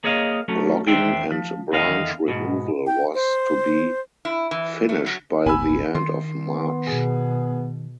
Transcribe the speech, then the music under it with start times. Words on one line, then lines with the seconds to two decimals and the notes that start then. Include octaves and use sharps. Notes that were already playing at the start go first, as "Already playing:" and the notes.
Logging and branch removal was to be finished by the end of March.
0.04 A#3 G#4 C#5 D#5 F5
0.48 F#3 A3 C#4
0.87 E2 D#3 D4 C5 E5 G5
1.32 F3
1.73 E2 D3 D#3 D#5 F5
2.28 G#2 B2
2.87 G5
3.14 C5
4.25 E4
4.51 E3
4.89 A3
5.06 F#3
5.46 D1 G1 B3 G#5 B5 E6
5.95 D#3 C6
6.48 B3
6.87 B2 G#4